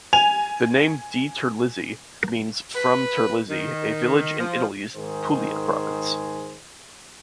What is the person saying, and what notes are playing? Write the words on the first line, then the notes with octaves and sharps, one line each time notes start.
The name DiTerlizzi means "from Terlizzi", a village in Italy's Pulia province.
G#5 F7
B4
D#3
F3
G#2 D#3 G#4 C5